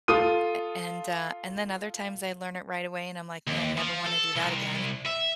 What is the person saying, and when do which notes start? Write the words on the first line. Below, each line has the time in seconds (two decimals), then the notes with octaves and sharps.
A and uh, and then other times, I learn it right away, and I'm like, "Man, never wanna do that again."
0.08 F4 A4 D#6 D#7
3.47 D#2
3.78 F3
4.07 A4
4.36 C2
5.06 E5